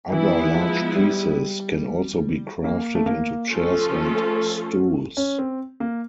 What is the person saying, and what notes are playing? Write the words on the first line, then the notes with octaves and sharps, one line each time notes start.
Other large pieces can also be crafted into chairs and stools.
E3 G#3 B3 E4
F3
G3
A#3
A3
A#3
F3 A3 C#4 F4 A4
C#4
C4
A#3